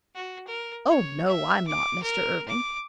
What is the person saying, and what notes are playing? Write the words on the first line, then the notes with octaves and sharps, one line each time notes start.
Oh, no, I'm not, Mr. Irving.
F#4
A#4
C#5
E5
D6
A#4
D6